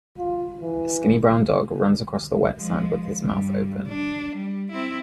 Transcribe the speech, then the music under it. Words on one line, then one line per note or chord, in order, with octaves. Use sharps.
A skinny brown dog runs across the wet sand with his mouth open.
F4
E3
F3 G#3
G2 G3
D4
G3
C4 E4